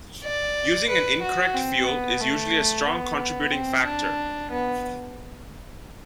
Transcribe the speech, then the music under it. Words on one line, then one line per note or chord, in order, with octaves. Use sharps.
Using an incorrect fuel is usually a strong contributing factor.
D5
B4
F#4
C4
B3
A3
B3
C4
D4
B3